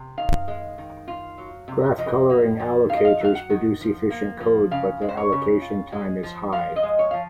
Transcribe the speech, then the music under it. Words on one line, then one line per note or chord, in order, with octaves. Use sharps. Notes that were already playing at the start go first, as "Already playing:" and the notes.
Graph coloring allocators produce efficient code, but their allocation time is high.
Already playing: C3
D#3 F5
G#3
D#3
F4
F#3
C3
F3 D#5
A#3
F3
D#4 F5
D#5
F5
F#3 F5
F#5
D#3
F3
A#3
F3
C#3 F5
G#3
C5
C#5
C#3
F4
G#3
F3
F3 F5
D#5
G#3
C#5
F3 F5